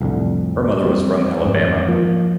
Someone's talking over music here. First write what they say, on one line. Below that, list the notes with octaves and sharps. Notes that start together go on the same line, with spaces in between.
Her mother was from Alabama.
C2 F2 A2 D3
G3 A3 C4
F2 G#2 C#4
F3 A#3